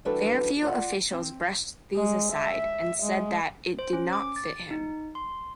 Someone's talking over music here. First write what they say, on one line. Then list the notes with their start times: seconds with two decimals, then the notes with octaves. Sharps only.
Fairview officials brushed these aside and said that it "did not fit in".
0.05 E3 G3 D4 F#4 A4 B4
0.62 F4 D5 F#5
1.11 C4
1.95 G#3
2.32 E5
3.02 G#3
3.79 C5
3.93 C#4
4.13 D6
4.36 A6
4.71 D#4
5.15 C6